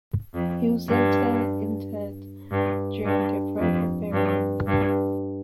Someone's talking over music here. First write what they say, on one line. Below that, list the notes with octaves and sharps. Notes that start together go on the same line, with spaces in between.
He was later interred during a private burial.
F2
G2
G2
G2
F2
G2
G2